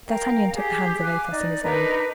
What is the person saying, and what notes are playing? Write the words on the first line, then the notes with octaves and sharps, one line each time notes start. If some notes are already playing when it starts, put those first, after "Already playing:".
D'Artagnan took the hands of Athos in his own.
A#4 F5 G5
G4 G#4
F5 G#5 D6 F#6
D#4 D5
D4 D#4 A#4 B4